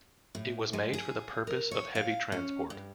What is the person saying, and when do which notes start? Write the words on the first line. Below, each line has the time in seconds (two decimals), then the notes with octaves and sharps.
It was made for the purpose of heavy transport.
0.35 A2
0.73 G#3
0.93 G#4
1.47 A#4
1.71 C#5
1.95 F5
2.32 C#4
2.70 G2